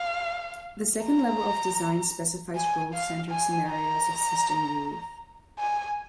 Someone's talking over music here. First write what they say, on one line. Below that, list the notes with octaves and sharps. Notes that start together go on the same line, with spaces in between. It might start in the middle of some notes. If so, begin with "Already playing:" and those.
The second level of design specifies role-centered scenarios of system use.
Already playing: F5
A#5
G#5
F5
G#5
A#5
G#5